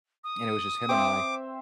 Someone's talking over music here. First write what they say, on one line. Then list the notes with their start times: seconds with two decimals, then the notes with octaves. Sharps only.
and it was just him and I,
0.24 D#6
0.89 C4 C5 E5 D6